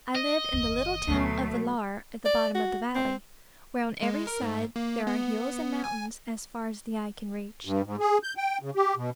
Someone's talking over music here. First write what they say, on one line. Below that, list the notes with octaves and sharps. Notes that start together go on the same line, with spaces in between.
I live in the little town of Villar at the bottom of the valley, where on every side there are hills and mountains as far as the eye can reach.
D#5
F#1 D#2
D2 B2 F#3 A3 D4
D5
F#4
C4
G#3
A#4
G#2
A#3
B3
G#5
G2
G#2
G#4
G6
G5
C#3
G4
B2